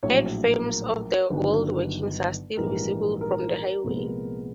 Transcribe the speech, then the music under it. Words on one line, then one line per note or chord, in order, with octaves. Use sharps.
Head frames of the old workings are still visible from the highway.
A#1 A2 F#3 C#5
A#4
G1 G2 D#3 F#3
A#1 G#2 E3 G3 A#4
A#4
C2 A#2 F3 G#3 B3